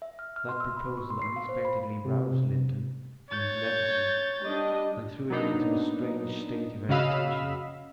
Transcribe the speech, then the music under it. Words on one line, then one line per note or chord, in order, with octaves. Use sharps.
That proposal, unexpectedly, roused Linton from his lethargy, and threw him into a strange state of agitation.
E5
F6
F6
C6
E6
B5
C#6
C6
C7
F5
C5
B5
C3
C#5 G6 A6
G3 D4 D#5
F#3 A#3 B3 D4 D#4
C#3 F#4 D#5 F5 B5 E6